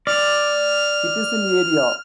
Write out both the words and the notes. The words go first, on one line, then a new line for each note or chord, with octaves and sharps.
It is in area.
D5 F6